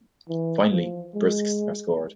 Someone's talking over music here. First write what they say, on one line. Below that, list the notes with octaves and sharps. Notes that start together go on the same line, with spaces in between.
Finally, brisques are scored.
E3
F3
G#3